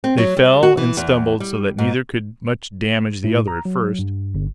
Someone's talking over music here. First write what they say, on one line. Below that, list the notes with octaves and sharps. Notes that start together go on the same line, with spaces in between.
They fell and stumbled so that neither could much damage the other at first.
C4
F#3
G3
F#4
E3
E2
G3
G#2
A2
A#5
F#3
G2
G1